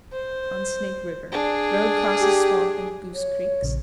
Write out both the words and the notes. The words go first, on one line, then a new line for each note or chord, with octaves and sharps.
On Snake River.--Road crosses Swamp and Goose Creeks.
C5
D4 G#4
G4
C#5
A#1 C#3